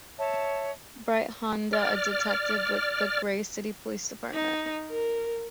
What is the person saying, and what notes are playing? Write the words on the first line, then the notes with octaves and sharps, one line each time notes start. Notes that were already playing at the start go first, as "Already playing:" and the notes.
Bright Honda: A detective with the Gray City Police Department.
C#5 E5 A5
D5 F6
D#4
A#4